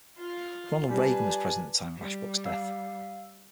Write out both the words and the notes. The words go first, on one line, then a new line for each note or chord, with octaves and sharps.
Ronald Reagan was president at the time of Ashbrook's death.
F4 F5
G3 D4 B4 G#5
G3
F5 E6